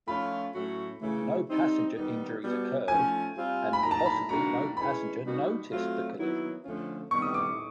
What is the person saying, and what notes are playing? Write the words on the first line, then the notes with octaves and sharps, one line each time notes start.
No passenger injuries occurred, and possibly no passenger noticed the collision.
F3 A3 C#4 F4 B5
A2 F#3 A3 C#4 F#4
C#3 E3 A3
G3 C4 D#4
D#3 G3 B3 D#4
B2 G3 B3
F3 A3 C#4 G#5
G3 C4 F4
B5
A#2 F#3 A#3 A#5
A5
A#5
B5
D#3 G3 A#3 D4 F#4 A#5
E3 G#3 C#4 B5
B2 G3 A#3 D#4 F#4
F#3 A3 C4 F4
D#3 F#3 B3 E4
D3 F3 A3 C#4 F4
C3 D#3 G3 B3 C#6
D#6
D6